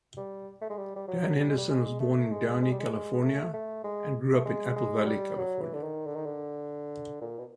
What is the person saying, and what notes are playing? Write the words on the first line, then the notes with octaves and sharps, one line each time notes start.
Dan Henderson was born in Downey, California and grew up in Apple Valley, California.
G3
A3
G#3
G3
G3
F#3
G3
G#3
G3
G#3
A3
G#3
G#3
G3
G#3
G#3
A3
A3
G#3
A3
G#3
G#3
F#3
G3
F#3
E3
D3
D#3
D3
D#3
D3
A#2
B2